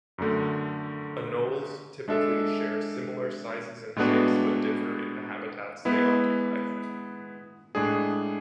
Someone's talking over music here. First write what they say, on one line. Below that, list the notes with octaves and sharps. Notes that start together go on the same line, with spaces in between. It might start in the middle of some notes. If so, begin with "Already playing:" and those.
Anoles typically share similar sizes and shapes but differ in the habitats they occupy.
F#2 D3 A3
G#3 D4 A4 E5
A2 G#3 B3 D4 F#4
G#3 B3 E4 B4
A2 G#3 D4 G#4